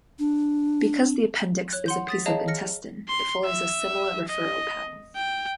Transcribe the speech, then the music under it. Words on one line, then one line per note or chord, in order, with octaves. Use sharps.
Because the appendix is a piece of intestine, it follows a similar referral pattern.
D4
C#5 F#6
F#5 C6 G6
D#6 A6 B6
G#4 C#5 D#5 F5 A5 A#5
F6 A#6 C#7
C6
E5
D#5
G5